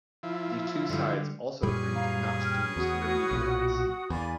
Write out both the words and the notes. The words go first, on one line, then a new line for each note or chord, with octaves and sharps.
The two sides also agreed not to use intermediaries.
F3 E4
D3 G3
F#2 A#2 G3 C#4 G#4 B4
F5 A#5
G5 F6
E2 F#4 D#6
B1 A#2
E2 A#3 D5 G#5 B5